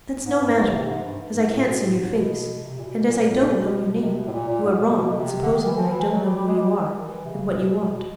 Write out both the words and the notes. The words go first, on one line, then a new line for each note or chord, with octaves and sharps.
That's no matter, as I can't see your face and as I don't know your name, you are wrong in supposing that I don't know who you are and what you want.
G#2
G2
G#2
C#3
C3
G#2
G2
G#2
A2
B2
A2
A2
G#2
B2
C3
A#2
B2
A#2
A2
C3
B2
B2
C3
B2
A2
A#2
A#2
G#2
B2
C3
B2
B2
C3
D3
D#3
E3
F3
E3
F3
F#3
G3
G3
G#3
G3
F#3
D#3
E3
C3
C#3
C3
A#2
B2
A#2
B2